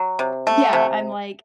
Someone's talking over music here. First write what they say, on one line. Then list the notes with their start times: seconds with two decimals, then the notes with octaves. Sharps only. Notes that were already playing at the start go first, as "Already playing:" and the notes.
Yeah, I'm like
Already playing: F#3
0.19 C3
0.47 A3
0.73 C3